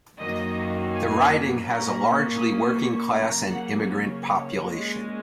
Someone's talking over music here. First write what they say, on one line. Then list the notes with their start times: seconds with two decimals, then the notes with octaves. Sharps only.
The riding has a largely working class and immigrant population.
0.19 F#2 D#3 F#3 A#3 D#5
0.93 G#5
1.65 A#2 A#3 C#4 A#5
2.38 D#6
2.75 C#6
3.11 C#3 F#3 A#3 C#4 A#5
3.48 F#5
3.84 C#5
4.57 A#2 G#3 C#4